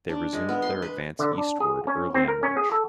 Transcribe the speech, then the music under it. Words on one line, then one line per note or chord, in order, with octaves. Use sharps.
They resumed their advance eastward early in March.
D4
G#3
B3
C6
B4
D3
D4
G#4
C#4
C4
A#4
C#4
G#4
A4